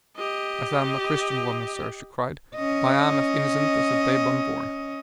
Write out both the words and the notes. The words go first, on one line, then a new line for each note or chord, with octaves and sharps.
"As I am a Christian woman, sir," she cried, "I am as innocent as a babe unborn!"
G4 D#5
C#4 D#5